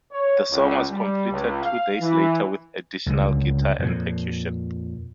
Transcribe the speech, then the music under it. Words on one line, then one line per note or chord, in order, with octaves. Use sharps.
The song was completed two days later with additional guitar and percussion.
C#5
C#2
G3
C#2
F5
E3
C#2 D3
F2 A#2